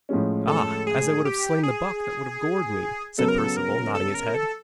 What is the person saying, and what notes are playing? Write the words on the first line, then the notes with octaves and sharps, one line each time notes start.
'Ah, as I would have slain the buck that would have gored me,' said Perceval, nodding his head.
A2 F3 G#3 C#4
A4
G#4
G4
G#4
C#3 F#3 B3 A4
A#4
A4
A#4
A4
A#4
A4